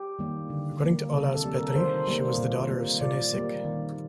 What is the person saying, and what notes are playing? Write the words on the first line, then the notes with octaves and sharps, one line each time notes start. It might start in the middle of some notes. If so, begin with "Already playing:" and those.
According to Olaus Petri, she was the daughter of Sune Sik.
Already playing: G4
D#3 G3 A#3
D3
G3 A#3
C3 A4
A4
G3 A#3
A#4
D#3 C5
G3 A#3
A#2
G3 A#3
A#2 D5
G3 A#3
D#3